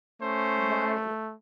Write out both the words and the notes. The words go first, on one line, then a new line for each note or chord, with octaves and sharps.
why li
A3 C#4 C5